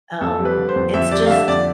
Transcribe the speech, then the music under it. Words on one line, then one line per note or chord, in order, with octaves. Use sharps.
um, it's just
F2 A4
G3
B4
D3
C5
F2
F2 E5
G3 D5
F5
D3 E5
F2 D5